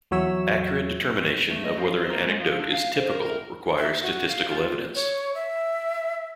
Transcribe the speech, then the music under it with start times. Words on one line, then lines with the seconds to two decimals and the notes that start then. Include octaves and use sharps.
Accurate determination of whether an anecdote is "typical" requires statistical evidence.
0.11 E2 F#3 C#5 E5 E6
1.51 A3
1.64 D#5
1.77 F3
1.97 C5
2.10 A#3
2.26 G#3
2.40 F3
2.60 D4
2.72 F5
2.97 C5
3.10 A#4
3.78 E5
4.02 F#4
4.28 F5
4.48 F4
4.95 C#5
5.35 E5